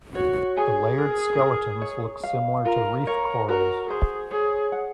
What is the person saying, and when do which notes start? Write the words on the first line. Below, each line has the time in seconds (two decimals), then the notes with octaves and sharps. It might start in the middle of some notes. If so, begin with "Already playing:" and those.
The layered skeletons look similar to reef corals.
0.15 F#4 C#5
0.56 G#4 G#5
0.98 A#4
1.41 A#4
1.82 C#5
2.23 F5
2.65 F4 A#4
3.06 A#4 C#5
3.49 F#4 A#4
3.89 G#4 C5
4.31 G#4 C#5
4.72 F#5